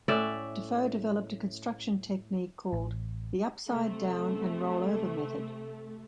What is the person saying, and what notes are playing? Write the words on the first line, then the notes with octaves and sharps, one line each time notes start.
Defoe developed a construction technique called the "upside-down and roll-over" method.
A2 C#4 D5 E5
A1
C3 A3